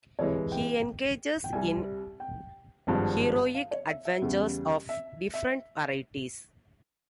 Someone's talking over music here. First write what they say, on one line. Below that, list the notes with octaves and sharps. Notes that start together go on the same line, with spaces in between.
He engages in heroic adventures of different varieties.
C2 C3 E3 G#3 C#5
G5
G5
C2 C3 G3 G#5
G5
G#1 G2 F3 G#3
F5
C#5
E5
E5
E2 C#3 G3
E5
E5